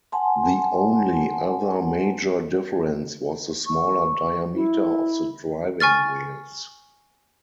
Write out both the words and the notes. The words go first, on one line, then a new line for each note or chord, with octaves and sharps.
The only other major difference was the smaller diameter of the driving wheels.
F#5 G#5 A5 C6
C#6
E4
G#5 C#6 F6 A6